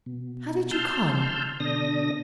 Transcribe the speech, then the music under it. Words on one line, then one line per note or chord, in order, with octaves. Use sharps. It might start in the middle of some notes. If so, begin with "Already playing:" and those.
How did you come?
B2
A5 C6 E6 F6 G6
B2 D3 D4 D#6 A#6